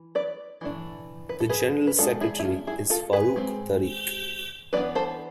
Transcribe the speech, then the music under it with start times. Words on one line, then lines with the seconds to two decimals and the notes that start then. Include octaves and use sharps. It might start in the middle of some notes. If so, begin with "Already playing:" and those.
The General Secretary is Farooq Tariq.
Already playing: E3
0.15 B4 D5
0.61 E3 A3 D4
1.29 B4
1.40 A4
1.49 G#4 B4
1.87 B4
1.98 G#3 B3 D4 F4 A4
2.21 E4 G#4
2.39 E4
2.45 F4
2.67 E4 G#4
2.90 F4 A4
3.13 G#4 B4
3.36 G#3 C4
4.73 E3 B3 D4 B4 D5
4.95 A4 C5